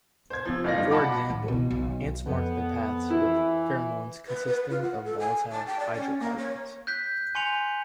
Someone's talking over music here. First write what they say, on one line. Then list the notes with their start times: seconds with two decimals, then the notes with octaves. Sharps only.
For example, ants mark their paths with pheromones consisting of volatile hydrocarbons.
0.30 C5 G#6
0.45 C3 F3
0.64 F#1 F4 D5 A#6
0.78 G3 D#4 F4
0.91 F#5 A5 B5 D6
1.30 A1 D#3
1.48 B2 E4
1.70 B1
2.26 F2 B3
3.10 E3 E4
4.28 B4
4.47 B4
4.70 F4
4.83 F#5
5.04 A4
5.19 G#5
5.52 A5
5.66 G5
5.79 D5
5.94 C#4
6.20 A#3
6.38 C#5
6.87 F#6 G6 B6
7.35 G#5 C6 C#7 F7